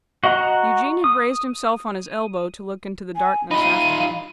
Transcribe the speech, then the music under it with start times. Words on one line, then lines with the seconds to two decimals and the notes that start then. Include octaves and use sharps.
Eugene had raised himself on his elbow to look into the darkness after him.
0.24 F#4 D#5 F#5 A#5 F#6
1.04 D#6
3.15 G#5
3.51 D#4 F4 F5 B5 D#7